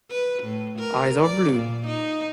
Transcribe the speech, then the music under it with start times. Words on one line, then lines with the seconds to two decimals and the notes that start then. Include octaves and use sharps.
Eyes are blue.
0.10 B4
0.43 A2
0.79 A#4
1.21 D5
1.53 A#2
1.87 D#4